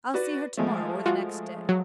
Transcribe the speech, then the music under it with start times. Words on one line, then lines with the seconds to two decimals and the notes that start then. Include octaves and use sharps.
I'll see her to-morrow or the next day.
0.14 F#4 B4 D5
0.57 F3 G#3 A3
1.06 F4 F#4
1.69 F#3